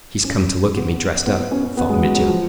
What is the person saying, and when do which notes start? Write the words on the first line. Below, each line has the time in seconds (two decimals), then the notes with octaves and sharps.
"He's come to look at me dressed up," thought Mitya.
0.25 C#4
0.76 B3
1.26 B3
1.39 B3
1.52 C#4
1.65 C#4
1.77 B3
1.90 G#3
2.03 F#3
2.15 F#3
2.28 F3